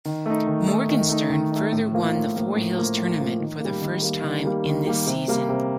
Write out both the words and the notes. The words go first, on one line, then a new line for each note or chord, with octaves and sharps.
Morgenstern further won the Four Hills Tournament for the first time in this season.
D#3
A3 D#4
D#3
A3 D#4
D#3
A3 D#4
D#3
A3 D#4
A2
F3 A#3 F4
A2
F3 A#3 F4
A2
F3 A#3 F4
A2
F3 A#3 F4
D#3
G3 A#3
D#3
G3 A#3
D#3
G3 A#3
D#3
G3 A#3
C3
G3 A#3
C3